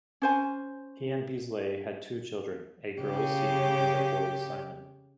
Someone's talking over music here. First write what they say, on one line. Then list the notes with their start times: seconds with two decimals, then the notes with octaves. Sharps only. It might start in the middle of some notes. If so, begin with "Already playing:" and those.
He and Beazleigh had two children, a girl Sian and a boy Simon.
0.22 C#4 C5 G#5
3.01 C#3 G4